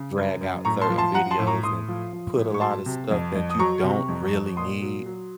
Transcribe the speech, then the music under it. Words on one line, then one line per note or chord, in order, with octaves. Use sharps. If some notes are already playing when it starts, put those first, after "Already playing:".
drag out certain videos and put a lot of stuff that you don't really need,
Already playing: C#3
F#2
F#2
A2 A#5 C#6
A5 C6
F3
A5 C6
F3 F#5 A#5
A5 C6
A2
A#5 C#6
A2 C6 D#6
F3
F3
A2
C#6
F#3 A5 C6
C3
F2
F2
D#6
F#3 A#5 C#6
C3
F2
F2
A#2 C6 D#6
F#3
F#3